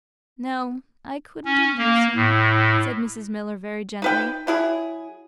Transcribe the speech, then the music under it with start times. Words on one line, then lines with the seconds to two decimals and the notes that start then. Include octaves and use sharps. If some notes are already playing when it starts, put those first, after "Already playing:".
"No; I couldn't induce him," said Mrs. Miller very gently.
1.45 C#4
1.78 A#3
2.15 A2
4.02 D#4 B4 G5
4.47 F#3 E4 G#4